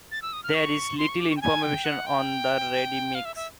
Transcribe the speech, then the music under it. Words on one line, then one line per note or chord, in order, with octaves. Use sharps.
There is little information on the Radimichs.
A6
E6
D#6
F6
C#6
C6
C#6
D6
C#6
G5
G#5
G5
F#5
G5
F5
E5
E5